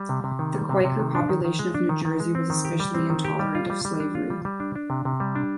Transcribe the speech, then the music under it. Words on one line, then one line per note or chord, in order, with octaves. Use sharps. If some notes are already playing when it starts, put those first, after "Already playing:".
The Quaker population of New Jersey was especially intolerant of slavery.
Already playing: G3
C3
C3
D#3
G3
C3
C3
D#3
D4
D#3
D#3
G#3
D4
D#3
D#3
G#3
C4
D#3
G4
G3
C4
D#3
G4
G3
F4
G3
G3
D4
F4
G3
G3
D4
D4
C3
C3
G3
D4